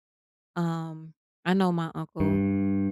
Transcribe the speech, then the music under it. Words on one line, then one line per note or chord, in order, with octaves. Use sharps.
um, I know my uncle
G2